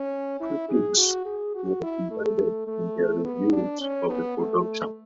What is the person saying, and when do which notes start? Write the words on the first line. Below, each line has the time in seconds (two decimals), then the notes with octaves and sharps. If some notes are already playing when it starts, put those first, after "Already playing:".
Critics were divided in their reviews of the production.
Already playing: C#4
0.40 E4
0.69 G#4
0.97 F#4
1.25 G#4
1.55 F#4
1.83 E4
2.11 A3
2.67 A3
3.24 B3
3.52 D4
3.81 C#4
4.10 B3
4.38 A3